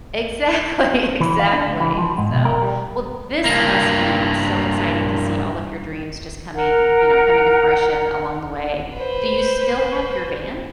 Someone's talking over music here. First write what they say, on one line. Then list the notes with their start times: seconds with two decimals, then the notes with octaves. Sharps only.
Exactly, exactly. So, well, this must be so exciting to see all of your dreams just coming, you know, coming to fruition along the way. Do you still have your van?
1.20 E3
1.39 F5
1.53 D4
1.67 C#2
1.80 E3
1.98 F3
2.18 G#2
2.31 B2
2.45 A#4
2.62 G3
3.45 G2 A#3
6.54 A#4 F#5 A#5
8.96 B4 C5